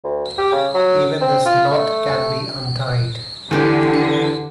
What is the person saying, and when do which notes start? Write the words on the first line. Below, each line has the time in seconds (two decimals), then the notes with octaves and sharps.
Even this knot can be untied...
0.04 D2
0.38 G4
0.52 C#3
0.74 F#3
1.21 C4
1.46 F4
1.71 A3
3.51 E2 D3 E3 A3 G4 D6